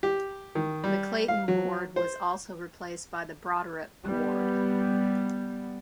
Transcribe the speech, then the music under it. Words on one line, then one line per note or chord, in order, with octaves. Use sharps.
The Clayton Ward was also replaced by the Broderip Ward.
G4
D#3
G3
F5
F#3
C5
G3 B3